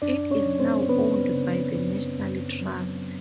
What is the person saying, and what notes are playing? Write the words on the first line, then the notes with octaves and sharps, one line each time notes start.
It is now owned by the National Trust.
F#2 D4 D5
C#4 C#5
F#3
C4 C5
C#3 B3 B4
C#3
F#2
F#2
F#3